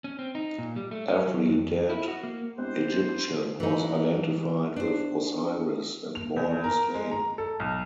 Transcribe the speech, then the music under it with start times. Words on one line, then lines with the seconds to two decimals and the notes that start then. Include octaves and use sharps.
Every dead Egyptian was identified with Osiris and bore his name.
0.04 C#4
0.19 C4
0.35 D#4
0.58 A#2
0.76 G3
0.91 A3
1.09 C#4
1.27 F#3
1.49 F2
1.90 E4
2.08 F#4
2.23 A#3
2.58 G#3 B3 C4 D4 E4 G4 C5 F#6
3.60 E3 D#4
4.76 D4 C5
6.15 F7
6.36 E2
6.64 A#4
6.95 G#3
7.11 A#5
7.38 A4
7.60 B1